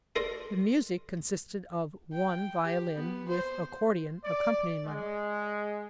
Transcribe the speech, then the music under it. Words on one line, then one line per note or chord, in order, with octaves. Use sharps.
The music consisted of one violin with accordion accompaniment.
D#4 A4 A#4 C5 D5
G5
G4
B3
C5
D5
G#3